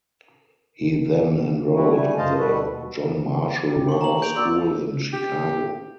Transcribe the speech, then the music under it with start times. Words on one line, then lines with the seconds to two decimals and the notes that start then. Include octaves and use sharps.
He then enrolled in the John Marshall Law School in Chicago.
1.75 G3 C4 E4 F#4
1.91 D3 G3 A3 G#5
2.17 F#2 C5 D#5 F5 A5
2.38 D2 B2 G3 F#4 A4 B4
2.66 D#2 B2
3.70 G4
3.88 C6 C#6
4.01 A#5 F#7
4.22 A#3 G#4 G6 D7 F7
4.36 A#3 F#4 D5 C6 E6
5.13 G4